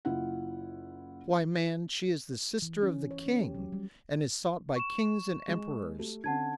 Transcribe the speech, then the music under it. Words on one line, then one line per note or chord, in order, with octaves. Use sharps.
Why, man, she is the sister of the king, and is sought by kings and emperors.
F#1 E4 F4 F#5
E3
C#4
C#5
C#4
G4
F#3
G3
C#6 E7
G#3
A3 G4
D3 C4 C#4 F#5 A5 G#6